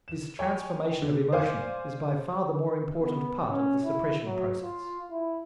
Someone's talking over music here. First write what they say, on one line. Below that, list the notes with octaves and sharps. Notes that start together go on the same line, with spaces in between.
This transformation of emotion is by far the more important part of the suppression process.
E7
C#5 G5 G#5
D3
C5 D5 F5 G#5 D6
B3
C#4
E4
F#3
F4
E4